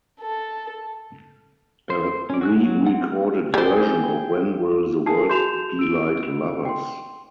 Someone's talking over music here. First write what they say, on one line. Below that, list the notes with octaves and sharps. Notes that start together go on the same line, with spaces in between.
A re-recorded version of When Will the World Be Like Lovers?
A4
C5
C#4 D5
F#4 E6 F#6
F#3
C4 F#5
G3 G#4 C5 G5
A#4 G#5 A5 D#6 C7
F#4 G#4 C6 G6 E7 F7
E6 D7
F#5 G5 C6